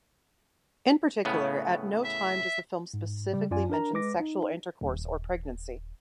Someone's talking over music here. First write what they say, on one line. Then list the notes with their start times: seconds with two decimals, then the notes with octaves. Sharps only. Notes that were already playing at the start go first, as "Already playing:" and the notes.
In particular, at no time does the film specifically mention sexual intercourse or pregnancy.
1.25 A2 C#3 B3
2.04 E5
2.94 G#2
3.33 C#3 G3
3.51 F#2 F4 D5 G#5
3.70 D4 A#4 A#5
3.93 G#3 B4 D6 A#6
4.20 D#4
4.81 D#1